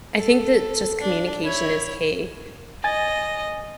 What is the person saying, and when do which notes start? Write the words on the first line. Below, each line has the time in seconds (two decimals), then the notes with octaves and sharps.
I think that just communication is key.
0.16 A4
1.00 D4
1.43 E4 C#5
2.84 D#5 G#5 A6